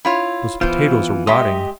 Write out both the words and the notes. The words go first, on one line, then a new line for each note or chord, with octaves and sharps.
Those potatoes are rotting.
E4 F4 C#5
E3 B3 F4 C5
G#3 G4 D#5 E5 D#6